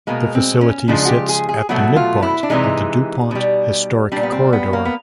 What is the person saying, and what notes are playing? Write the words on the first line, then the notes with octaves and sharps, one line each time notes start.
The facility sits at the midpoint of the DuPont Historic Corridor.
B2 G#3 A#3
C4
C#4
C#3 F3 G#3 D4
F#4
G4
G#4
G#4
B2 F#3 A3 F#4
F4
E4
D4
C3 E3 G#3 D#4
B2 G3
A#2 G3 D4
B3
C4
B3
A#3
B3